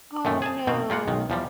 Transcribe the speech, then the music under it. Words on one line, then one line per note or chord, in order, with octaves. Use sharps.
Oh, no.
F#2 A#2 D#3 A3
G#4 G#5 A5
B2 D#3 C4
G3 A#3 F4 F#5
B1 D#3
E2 F3 G3